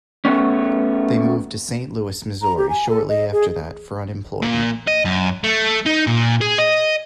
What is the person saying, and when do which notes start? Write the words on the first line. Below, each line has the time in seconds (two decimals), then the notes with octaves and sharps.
They moved to Saint Louis Missouri shortly after that for employment.
0.25 A3 B3 C#4
2.42 A#5
2.57 G4
2.69 G#5
2.89 A4
3.09 D#5
3.32 G#4
4.43 A#2
4.88 D#5
5.05 F#2
5.44 A3
5.86 D#4
6.07 A#2
6.41 G#4
6.59 D#5